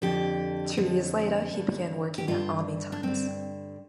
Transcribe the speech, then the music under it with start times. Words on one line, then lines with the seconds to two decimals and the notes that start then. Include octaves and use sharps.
Two years later he began working at "Army Times".
0.02 F2 D3 G4
0.77 F2 D3
1.53 G2 D3
2.18 G4
2.27 G2 D3 F4
2.92 D4
3.03 G2 D3 C4